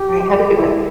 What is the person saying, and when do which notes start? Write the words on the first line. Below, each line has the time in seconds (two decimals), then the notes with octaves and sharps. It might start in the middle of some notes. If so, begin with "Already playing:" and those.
All right, have a good one.
Already playing: G4
0.56 E4